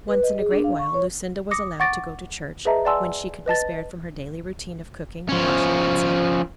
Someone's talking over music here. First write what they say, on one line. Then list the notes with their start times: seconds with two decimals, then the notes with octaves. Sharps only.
Once in a great while Lucinda was allowed to go to church, when she could be spared from her daily routine of cooking, washing, etc.
0.08 B4
0.23 D#5
0.39 G#4
0.51 D4
0.64 F5
0.79 C#6
0.94 C#5
1.51 D6 D#6 A#6 C#7
1.80 F#5 C#6 D6 A6 A#6 D7
2.65 G#4 B4 D#5 E5 A5 A#5
2.85 D5 F#5 G#5 A5 C6 E6
3.46 B4 D#5 A5 A6
5.29 F3 C#4